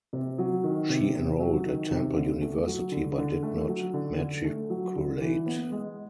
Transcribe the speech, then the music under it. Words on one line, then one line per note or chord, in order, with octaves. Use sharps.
She enrolled at Temple University but did not matriculate.
C3
F#3
D#3
C3
C3
F#3
D#3
C3
D3
A3
F#3
D3
D3
A3
F#3
D3
D3
A3
F#3
D3
E3
B3
G#3